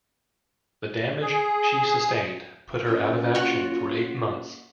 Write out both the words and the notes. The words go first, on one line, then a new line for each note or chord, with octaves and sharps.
The damage she sustained put her out of action for eight months.
G#4
A#3 C#4 F4
F#4 C#5